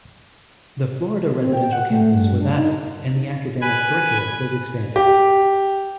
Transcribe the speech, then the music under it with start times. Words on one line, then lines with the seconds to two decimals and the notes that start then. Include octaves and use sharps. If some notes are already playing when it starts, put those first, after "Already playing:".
The Florida residential campus was added and the academic curricula was expanded.
1.40 C4
1.53 G5
1.72 F#5
1.90 A3
2.14 G2
2.41 D4
2.56 D#4
3.61 B4 G#5
4.96 G4